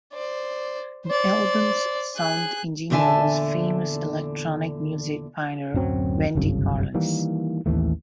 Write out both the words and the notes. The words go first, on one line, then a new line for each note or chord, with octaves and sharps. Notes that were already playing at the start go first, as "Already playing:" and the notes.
The album's sound engineer was famous electronic music pioneer Wendy Carlos.
C5 D5
C5 D5
G#4 F#6
E2 A#2 D3 E5 G#5 A5
D1 F#2 F#3 C4
G1 C2 F#2 C#3
D#3 E3 G3 A#3
A1 D#2 E3 A3